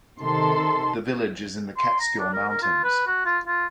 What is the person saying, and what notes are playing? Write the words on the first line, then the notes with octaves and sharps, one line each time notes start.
The village is in the Catskill Mountains.
C3 D#3 A4 C6
C6
A#5
D4
A#4
A#4
F4
B4
F#4
F4
F4